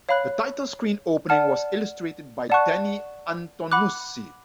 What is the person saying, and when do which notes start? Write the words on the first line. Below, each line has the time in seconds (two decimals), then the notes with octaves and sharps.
The title screen opening was illustrated by Danny Antonucci.
0.09 C#5 F5 B5 F#6
1.29 D5 F#5 A5 F6
2.50 D5 F#5 A5 C#6 F#6
3.71 F#5 B5 D6 F#6